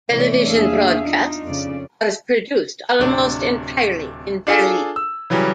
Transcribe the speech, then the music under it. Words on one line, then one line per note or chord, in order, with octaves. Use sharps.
Television broadcasts are produced almost entirely in Berlin.
C3 E3 A3 C#5 D5
E2 A#3 D4 G#4 E5 F5
D4 D#4 F4
F2 C#3 D5
D1 C3 D4
D4 F4 G#4 A4
E6
C#3 E3 F#3 G3